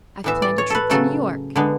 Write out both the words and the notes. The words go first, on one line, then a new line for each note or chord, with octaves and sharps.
"I've planned a trip to New York."
A2 E3 B3 E5
D5
C#5
A4 B4
C#3 F#3 A3 A4
D3 G#3 B3